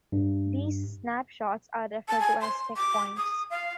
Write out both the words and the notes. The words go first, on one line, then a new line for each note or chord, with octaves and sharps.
These snapshots are referred to as "checkpoints".
G2
A5
G#5
C6
D6
D#6
F5